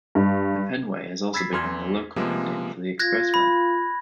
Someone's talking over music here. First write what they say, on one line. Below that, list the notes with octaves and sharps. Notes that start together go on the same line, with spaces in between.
The Penway has also become the local nickname for the Expressway.
G2
B5 E6 G#6 A6 B6 C7
E2 E3 C6 F6 G#6
C3 F3 G#3 A#3 B3
F4 F#6 G#6 A#6
B5